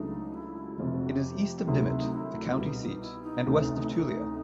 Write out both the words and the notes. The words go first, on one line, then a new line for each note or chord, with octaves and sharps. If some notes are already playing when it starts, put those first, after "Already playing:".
It is east of Dimmitt, the county seat, and west of Tulia.
Already playing: C#2 C#3 F#3 A3 D4 D#4
E4
F1 F2 C3 F4
F#4
G4
D2 C3 D#3 F#3 G#4
E4
D#4
E4
C2 B2 G3 E4
D#4
D#4
E4
D#4
D2 C3 E3 A3 C#4
E4
D#4